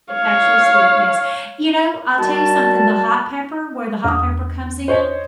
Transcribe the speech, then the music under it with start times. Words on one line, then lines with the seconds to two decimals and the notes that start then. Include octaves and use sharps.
It's actually sweet. Yes, you know, I'll tell you something, the hot pepper where the hot pepper comes in,
0.13 C#5 F5
2.18 D#3 G3 F#4 A5
4.05 E2 D#6
4.88 C5 C#5 D#5